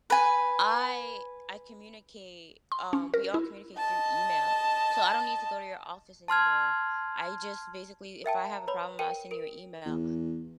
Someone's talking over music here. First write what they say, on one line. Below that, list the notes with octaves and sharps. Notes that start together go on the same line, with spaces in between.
I I communicate, um we all communicate through email, so I don't need to go to your office anymore. I just basically, if I have a problem, I'll send you a email.
B4 G#5
C6
C#4
A#4
E4
D#5 A5
A5 C6 F6 G#6
A#4 E5 G5 A5
A#5
B4 C#5 B5
A#4 G5 D#7
A#4 D7
E2